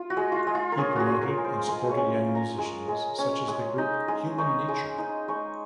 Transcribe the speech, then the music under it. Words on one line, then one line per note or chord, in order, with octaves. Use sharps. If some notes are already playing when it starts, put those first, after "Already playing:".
He promoted and supported young musicians, such as the group Human Nature.
Already playing: F4
F#4
G#3
F4
G#3
F4
A#4
C#4 G#4
F#4 G#4
F4
A#4
G#3
C5
G#3 C5
C#5
C#4
F4
A#5
G#3
G#3
C#4
G#3
D#4
G#3
D#4 C#6
G#3
D#4
G#3 C#6